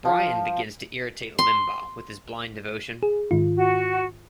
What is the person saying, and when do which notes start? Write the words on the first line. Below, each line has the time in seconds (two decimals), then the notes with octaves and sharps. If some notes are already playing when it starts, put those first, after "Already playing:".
Brian begins to irritate Limbaugh with his blind devotion.
0.05 F3
1.39 C6
3.03 G#4
3.31 G#2 D#3 F4
3.56 F#4